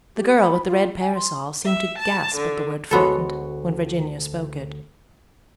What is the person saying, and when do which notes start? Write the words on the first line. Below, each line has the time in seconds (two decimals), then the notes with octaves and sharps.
The girl with the red parasol seemed to gasp at the word "friend," when Virginia spoke it.
0.16 G4
0.39 B5
0.67 F4
1.00 G#5
1.15 C6
1.65 E5
1.98 A5
2.35 D3
2.91 D2 G#3 B3 F#4 A4 C#5